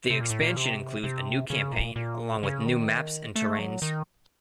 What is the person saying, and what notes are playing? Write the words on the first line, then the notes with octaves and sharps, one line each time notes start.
The expansion includes a new campaign, along with new maps and terrains.
C3
A#2
A2
A#2
C3
C3
C#3
A#2
A#2
C#3
D#3
A3
F#3
D#3